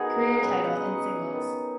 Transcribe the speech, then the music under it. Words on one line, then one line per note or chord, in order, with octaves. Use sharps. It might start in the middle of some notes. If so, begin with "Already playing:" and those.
Career title in singles.
Already playing: D#3 B3 D#4 F#4 G#4
B2 F#3 C#4 B4
F#5
D#5
C#5
D#3 B3